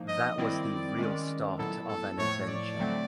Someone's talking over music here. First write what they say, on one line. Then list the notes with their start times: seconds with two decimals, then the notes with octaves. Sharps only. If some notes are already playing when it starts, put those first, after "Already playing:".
That was the real start of an adventure.
Already playing: F3 A#3 D#4
0.08 D#5
0.38 D#3 G3 C4 E4 D5
0.98 D#3 G#3 C#4
1.59 A#2 F#3 B3 E4 A4
1.88 A4
2.18 A2 F3 A3 C#5
2.48 D5
2.79 D3 F#3 A3 C4